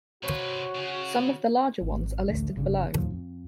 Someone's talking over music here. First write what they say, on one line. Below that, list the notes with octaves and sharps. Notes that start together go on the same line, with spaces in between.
Some of the larger ones are listed below.
C3 F#4 B4 C#5
C#3
G#1
A1 D2 D3 A3
G1 G2 C#3 G3
D#2 A2 F3
F2